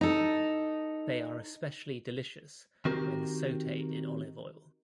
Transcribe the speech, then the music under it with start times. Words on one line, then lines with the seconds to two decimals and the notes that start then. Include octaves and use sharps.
They are especially delicious when sauteed in olive oil.
0.01 D#4 A4
2.85 D#3 C4 F#4 G4 A#4